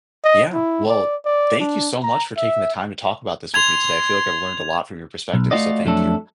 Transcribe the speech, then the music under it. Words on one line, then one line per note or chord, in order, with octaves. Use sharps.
Yeah. Well, thank you so much for taking the time to talk about this with me today, I feel like I've learned a lot from your perspective, so thank you.
D#5
E4
D5
D5
D4
A#5
E5
C6 G#6 F7
B1
A3 F4 F#4 D5 D#5
F2 F#3 A3 D4 A4